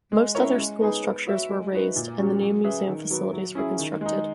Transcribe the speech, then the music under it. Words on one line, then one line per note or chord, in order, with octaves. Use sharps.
Most other school structures were razed, and new museum facilities were constructed.
G#3
C#4 E4 A#4 C#5
G#3
B3 D#4 G#4
B3
F#4 C#5 E5
G#3
D#4 F#4 B4
A#2
F#3 C#4 F#4
F#3
C#4 G#4 B4 E5
D#3
F#3 B3
F#3
C#4 E4 G#4
D#3
G#3 D#4